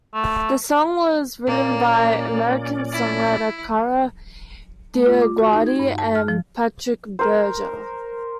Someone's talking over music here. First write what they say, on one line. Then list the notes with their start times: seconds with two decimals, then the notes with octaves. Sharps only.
The song was written by American songwriter Kara DioGuardi and Patrik Berger.
0.14 A3
1.47 A#2 A#3 C#4 D5
2.92 E4
4.94 A3
5.06 F4
5.21 D6
5.38 F#4
5.53 D#4
5.66 G#6
5.79 G2
5.98 A5
6.15 F6
6.28 F3
7.19 A#4 C5